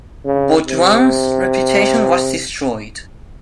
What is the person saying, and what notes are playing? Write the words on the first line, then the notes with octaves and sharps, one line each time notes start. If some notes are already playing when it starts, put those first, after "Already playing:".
Beaudoin's reputation was destroyed.
C#3
C3